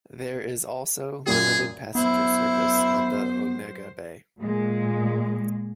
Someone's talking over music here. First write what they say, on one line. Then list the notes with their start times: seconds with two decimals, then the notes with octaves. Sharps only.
There is also limited passenger service on the Onega Bay.
1.27 F#2 A#2 G4 G#4
1.95 F#2 B3 E4 C5
4.39 A#2 G#3